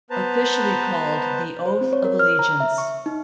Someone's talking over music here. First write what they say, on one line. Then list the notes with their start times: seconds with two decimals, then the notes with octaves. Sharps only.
Officially called the "Oath of Allegiance".
0.10 B3 B4 C5 A5 A#5
1.66 C5
1.81 C4
1.93 C#5
2.05 A#4
2.19 F6
2.39 A#5
2.60 E5
2.78 C#6
3.06 D#4